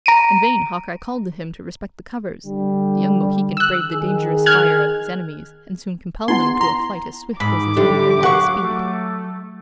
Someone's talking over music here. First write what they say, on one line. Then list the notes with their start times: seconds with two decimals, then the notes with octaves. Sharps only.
In vain Hawkeye called to him to respect the covers; the young Mohican braved the dangerous fire of his enemies, and soon compelled them to a flight as swift as his own headlong speed.
0.06 A#5 D7 D#7
2.45 D3 G3
3.57 E6 F#6
3.92 D#3 G#4
4.46 F6 F#6 G#6
6.28 B3 D#4 E4 F#5 C6
6.61 A#5 C6
7.40 G#2 B5 D6
7.76 D3 G3 E4 G4
8.23 F#3 A#4 F5 F#5 C#6
8.60 A3